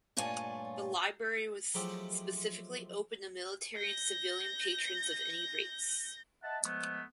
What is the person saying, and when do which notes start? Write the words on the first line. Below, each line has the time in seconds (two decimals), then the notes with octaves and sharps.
The library was specifically open to military and civilian patrons of any race.
0.17 G2 A#2 A3 F4 C#5 G#5
1.74 F3 F#3 G#3 A3 G4
3.76 G6 A#6
6.43 D#5 E5 F#5 A5
6.63 F3 G#3 A3 B3